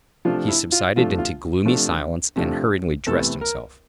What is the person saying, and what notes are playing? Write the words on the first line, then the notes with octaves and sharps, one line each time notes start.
He subsided into gloomy silence and hurriedly dressed himself.
C3 F3 A3 D4 F4
E4
F4
C3 F3 A3 D4 F4
F4
C3 F3 A3 D4
C3 F3 A3 D4
E2 C3 E3 A3 A4
A#4